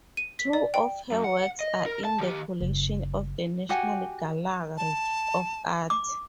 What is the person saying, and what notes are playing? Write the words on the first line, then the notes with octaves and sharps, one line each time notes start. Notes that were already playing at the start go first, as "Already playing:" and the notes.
Two of her works are in the collection of the National Gallery of Art.
D#7
B6
D5
G5
F#2
F#5
D#5
A#4
A5
D#3 G4
F#1
F#4 G4 F#5 G#5
A5
D6